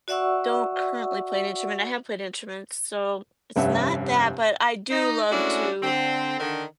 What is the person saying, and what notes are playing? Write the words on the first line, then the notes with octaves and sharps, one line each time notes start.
don't currently play an instrument, I have played instruments, so it's not that, but I do love to,
F#4 D5 E5 F#5 C#6 E6
F1 G2 C#4 E5 F#5
D#4
G#3 A3 C#4 D4 E4 F#4
D3 C4
D3 D#3